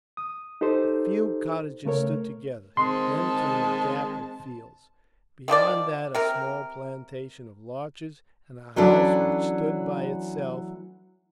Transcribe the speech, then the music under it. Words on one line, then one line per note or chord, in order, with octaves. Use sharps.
A few cottages stood together, then came a gap of fields, beyond that a small plantation of larches and a house which stood by itself.
D#6
D#4 G4 A4 C5
C#3 A3 A#4 C#5
D#3 G#3 C4 A5 C6
D#3 F3 G4 D5
C3 A#4
E3 F#3 A3 C#4 D4